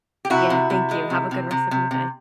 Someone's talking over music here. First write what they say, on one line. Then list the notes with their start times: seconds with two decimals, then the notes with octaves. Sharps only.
Yeah, thank you, have a good rest of your day.
0.25 G4
0.30 C3 E4 F#4
0.50 C3
0.70 C3
0.91 G#3
1.10 C3
1.31 C3
1.51 C3
1.71 C3
1.91 C3